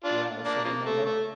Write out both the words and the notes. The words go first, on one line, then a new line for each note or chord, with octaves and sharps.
"Well?" said the mother.
D4 F4
A#3 D4
C#3 F3 A#3
A3
A3